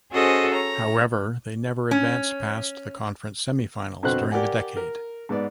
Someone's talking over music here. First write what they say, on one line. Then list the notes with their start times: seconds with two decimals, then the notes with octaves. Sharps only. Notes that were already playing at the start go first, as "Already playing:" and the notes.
However, they never advanced past the conference semifinals during the decade.
0.12 C#4 F#4 G#4 A4 C5 D#5
0.50 C#5 A#5
1.91 C#4
4.03 F2 B2 D3 F#4 C5 F#6
4.31 G4 A#4 D5 F#5 G#5
4.76 A#4
5.29 G#2 B3 D5